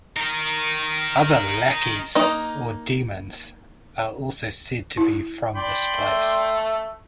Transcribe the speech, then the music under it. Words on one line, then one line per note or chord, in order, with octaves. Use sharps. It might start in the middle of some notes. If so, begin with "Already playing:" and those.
Other 'Lakheys' or demons are also said to be from this place.
D#4 A#4
A#3 D#4
E4
D5 G5 B5 C6
A3